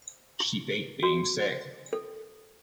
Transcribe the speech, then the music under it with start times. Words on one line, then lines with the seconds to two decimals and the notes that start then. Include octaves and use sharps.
She faked being sick.
1.03 F#4
1.93 A4